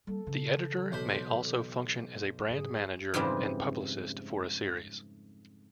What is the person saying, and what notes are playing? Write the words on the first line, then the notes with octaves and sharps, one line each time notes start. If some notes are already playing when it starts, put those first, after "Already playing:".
The editor may also function as a brand manager and publicist for a series.
G3 A#3 A4
C#3 E3
B1 C5 B5
G#2 G#4
F2 G#2 C#3 E3 G3 C4